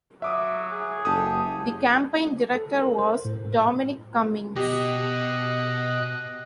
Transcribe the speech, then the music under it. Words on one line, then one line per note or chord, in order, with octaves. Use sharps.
The campaign director was Dominic Cummings.
F#3 E5 D6 D#6
G#4
F#1 G4 A4 D#6
A4
A#4
C5
A2
B2 G4 D#5 F#6